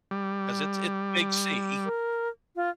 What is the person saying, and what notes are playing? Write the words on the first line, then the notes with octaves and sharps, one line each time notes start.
'cause it's it's a big sea,
G3
A#4
F4